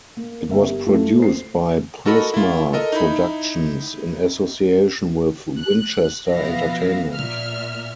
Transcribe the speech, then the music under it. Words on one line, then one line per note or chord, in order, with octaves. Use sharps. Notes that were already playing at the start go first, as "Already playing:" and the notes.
It was produced by Prisma Productions in association with Winchester Entertainment.
A#3
G1 A#4 E5
G4
A3 E4 F4
C5 C7
F#4 A4 A#4 D#5 B5
E4 F4
A4 A#4 D#5
D#4 E4 B5
F#6
B2 F3 B3 E5 F5 A#6
A#2 E5 F6